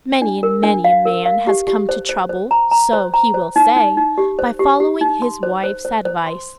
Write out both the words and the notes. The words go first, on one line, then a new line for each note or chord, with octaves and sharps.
Many and many a man has come to trouble--so he will say--by following his wife's advice.
D4
A#4
D4
F5
A#4
F5
G4
G4
C5
C5
C5
A#5
A#5
C5
A#5
C5
D#4
D#4
D#4
G4
C5
G4
G4
D#4
C6
C5
C5
C5
C5
C6